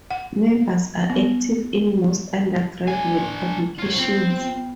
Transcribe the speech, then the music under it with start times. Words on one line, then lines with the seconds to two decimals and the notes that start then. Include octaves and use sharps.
Members are active in most undergraduate publications.
0.11 F#5
1.10 B3
2.88 F#3 D4 G#5
3.79 F4 C#5
3.98 B3 C4 F4 G5